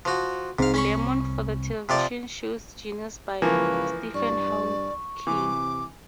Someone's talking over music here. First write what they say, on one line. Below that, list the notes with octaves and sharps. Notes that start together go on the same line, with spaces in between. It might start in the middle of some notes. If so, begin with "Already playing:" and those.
Lemmon for the television show Genius by Stephen Hawking.
F3 F#4
C2 G#2 C4 F5
C#4 B5 C#6
C3 F3 D5
C#2 E3 F3 A#3 B4 F5 C#6
G2 D5 C#6
C3 E3 D6